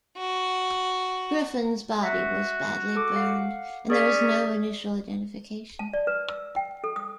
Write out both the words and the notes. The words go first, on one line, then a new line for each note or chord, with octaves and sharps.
Griffin's body was badly burned and there was no initial identification.
F#4
F#4 E5
A4 D6
F5 F#5
C#4 G#4 D5 B6
A5
D5
B4
E6
G5
A4
D#6